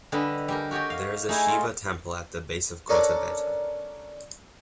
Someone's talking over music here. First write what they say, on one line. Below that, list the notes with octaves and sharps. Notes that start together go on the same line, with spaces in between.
There is a Shiva temple at the base of Kotebetta.
D3 G3 A4 B4 D#5
G3 G4 A#4
F#4 G4 C#5 D#5 G5
F5
A3 D#4 E4 G#4
F4 F#4
C#4 D4 A4 A#4 D5